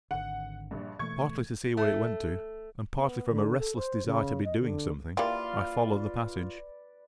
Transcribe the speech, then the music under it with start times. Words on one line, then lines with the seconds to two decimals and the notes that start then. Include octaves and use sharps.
Partly to see where it went to, and partly from a restless desire to be doing something, I followed the passage.
0.11 G#1 D3 F#5
0.71 A#1 G2
0.99 B2 E3 A3 C#6 G#6
1.77 A3
2.96 B3
3.29 D3
3.58 A4
3.75 C5
4.05 C#3
4.44 D#5
4.59 D3
5.17 A#3 E4 F4 G4 B4 D5